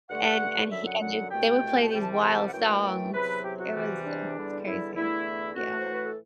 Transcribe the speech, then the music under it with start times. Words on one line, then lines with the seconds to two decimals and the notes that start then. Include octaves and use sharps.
and and he and j they would play these wild songs, it was it was crazy. Yeah.
0.09 G2 D3 A3 F#5
0.70 F#2 D3 F#3 E5
0.86 F#5
1.01 F#5
1.31 C2 B2 A3 G5
1.82 A5
1.92 C2 C3 E3 G3 G5
2.02 A5
2.12 G5
2.22 A5
2.46 F#5
2.53 F#2 E3 A3 G5
2.83 G5
3.13 E2 C3 F#3 B4
3.43 G4
3.59 F#4
3.74 E2 C3 E3 G3
4.05 D4
4.35 E2 D3 G3
4.66 E4
4.95 E2 D3 A3 E4
5.56 A2 E3 A3 F#4
5.80 C5
5.92 B4
6.04 A4